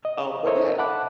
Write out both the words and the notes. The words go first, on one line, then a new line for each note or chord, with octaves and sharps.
Um, but, yeah,
D#5
A4 A#4 C5 C#5 D#5 E5
E5 F#5 A5 B5 D6 F#6